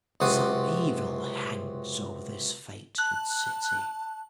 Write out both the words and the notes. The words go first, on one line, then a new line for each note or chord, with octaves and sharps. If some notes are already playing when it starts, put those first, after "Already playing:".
Some evil hangs over this fated city.
C#2 F#2 C3 F#4 D#6
A5 F#6